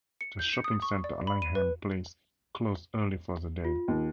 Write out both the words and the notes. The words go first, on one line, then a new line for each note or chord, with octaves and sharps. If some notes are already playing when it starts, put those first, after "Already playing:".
The shopping centre at Langham Place closed early for the day.
C#7
G6
C#7
D#6
C#6
D5
B5
D#7
B4
F4
D#2